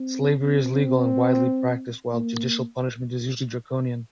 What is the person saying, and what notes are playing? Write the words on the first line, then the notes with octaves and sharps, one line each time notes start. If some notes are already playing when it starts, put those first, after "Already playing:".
Slavery is legal and widely practised, while judicial punishment is usually draconian.
Already playing: C4
C4
A#3